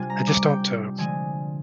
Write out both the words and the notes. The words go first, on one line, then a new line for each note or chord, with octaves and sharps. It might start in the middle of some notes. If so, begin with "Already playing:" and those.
I just don't, uh
Already playing: C3 G3 D4 F4 G#5
A#5
D6
G5
D3 F3 G#3 D4 G#5